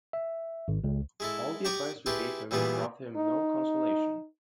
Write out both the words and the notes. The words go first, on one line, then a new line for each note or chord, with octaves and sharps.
All the advice we gave him brought him no consolation.
E5
G#1
C#2
G#3 E4 A4
G4 D5 A#5 C#6 D#6
E4 G4 G#4 B4 A5 C6
A#2 E3 G3 B3 D4 G#4
D#4